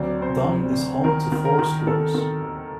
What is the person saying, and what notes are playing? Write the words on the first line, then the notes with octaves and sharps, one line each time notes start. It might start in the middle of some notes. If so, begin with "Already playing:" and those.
Dunn is home to four schools.
Already playing: D2 F#3 C4 D5
C4 C5
C3
D2
D#3 A#4
D#3
A#4
D#3
D#3 A4
D#3
D#2